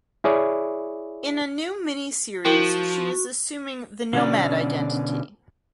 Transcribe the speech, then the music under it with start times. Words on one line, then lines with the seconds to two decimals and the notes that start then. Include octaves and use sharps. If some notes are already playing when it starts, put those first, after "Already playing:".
In a new miniseries she is assuming the Nomad identity.
0.24 E4 G#4 C#5 D5
2.45 F3 E4 F#4 A#4 G5 C#6
4.13 B2 D3 C#4 D5